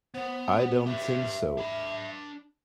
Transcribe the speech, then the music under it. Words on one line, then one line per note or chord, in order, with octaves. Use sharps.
I don't think so.
B3 C5
G4 B4 E5
D4 B5